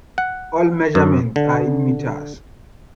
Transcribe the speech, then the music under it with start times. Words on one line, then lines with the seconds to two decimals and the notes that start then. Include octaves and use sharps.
All measurements are in metres.
0.18 F#5
0.95 F#2
1.36 D3